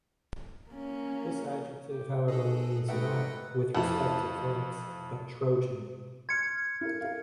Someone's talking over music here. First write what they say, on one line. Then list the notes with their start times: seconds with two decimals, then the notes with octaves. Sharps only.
This adjective however means not "with respect to the flanks", but "Trojan".
0.70 A#3 C#4
1.89 G4
2.28 D#4 F#4 G#4 A4
2.88 G#2 A3 B4 D#5 E5 F#5 G5
3.75 F2 E3 A3 A5 F#7
6.29 C6 F6 G#6 C#7
6.81 E4 A#4
7.01 A#4 F5